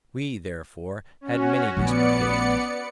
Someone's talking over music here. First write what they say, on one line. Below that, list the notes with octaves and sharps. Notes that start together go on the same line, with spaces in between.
We therefore had many disputations.
C#4 F#4
A#1 A3 B3 D5 C#7